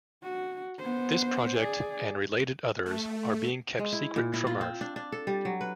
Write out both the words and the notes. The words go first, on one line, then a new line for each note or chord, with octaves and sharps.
This project, and related others, are being kept secret from Earth.
F#4
B3 C5
G#4 D5
A3
G#3
E4
A#2
E4
F4
C4
D4
D4
A4
G3
F#3
B4